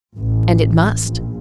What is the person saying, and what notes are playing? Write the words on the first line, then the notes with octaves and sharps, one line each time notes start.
And it must.
A1
A#1